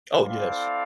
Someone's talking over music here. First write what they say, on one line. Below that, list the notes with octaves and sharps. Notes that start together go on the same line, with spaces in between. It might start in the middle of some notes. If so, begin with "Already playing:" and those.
Oh, yes.
C4 E4 A4 D5 F5